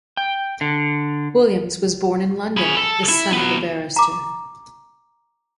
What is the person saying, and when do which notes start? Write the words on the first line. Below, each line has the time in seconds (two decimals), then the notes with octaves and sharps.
Williams was born in London, the son of a barrister.
0.17 G5
0.61 D3
2.57 G#4 B5
2.77 A4
3.09 E4
3.32 F#3 B3
3.96 A#5 D6